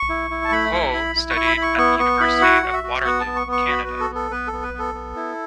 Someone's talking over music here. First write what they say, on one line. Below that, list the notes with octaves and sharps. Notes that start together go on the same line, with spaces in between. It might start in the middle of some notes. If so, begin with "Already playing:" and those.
Ho studied at the University of Waterloo, Canada.
Already playing: C#6
E4
E4
A5
A3 B5
E4
E4
E4
C#6
E4
B5
E4
C#6
B3 C#6
B3 C#6
E4 B5
F#4 F#5
F#4
E5
F#4
B3 F#5
A5
B3
C#6
B3
C#6
F#4 B5
B3 B4
A4
B3
A4
B3 B4
A4
B3
B4
B3
A4
B3
E4